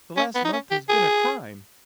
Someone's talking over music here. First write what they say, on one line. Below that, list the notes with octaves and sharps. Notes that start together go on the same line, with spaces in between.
The last month has been a crime.
C#4
B3
D#4
C#4
G4
G#4